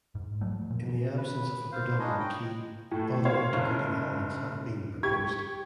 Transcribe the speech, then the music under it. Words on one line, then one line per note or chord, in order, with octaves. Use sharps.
In the absence of a predominant key, other integrating elements have been proposed.
G#2
F3 F#3 A3
A#2
B4
C5 F5
G#3 D4 D#4 B4 C#5 D#5
D#5 G5
A2 A3
C5 C#5 F5
F#1
G4 C#6 G#6